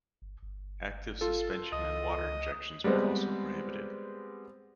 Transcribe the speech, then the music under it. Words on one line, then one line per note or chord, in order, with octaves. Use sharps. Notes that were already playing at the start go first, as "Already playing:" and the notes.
Active suspension and water injections were also prohibited.
G1
G1
F4 A4
C#2 D#5
G3 G#3 B3 C4